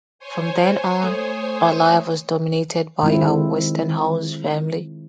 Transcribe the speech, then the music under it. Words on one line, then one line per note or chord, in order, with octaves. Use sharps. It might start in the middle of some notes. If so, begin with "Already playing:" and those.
From then on her life was dominated by her Westenholz family.
C5 C#5 G#5
A3 D#6
D#3 G#3 C4 E4 F4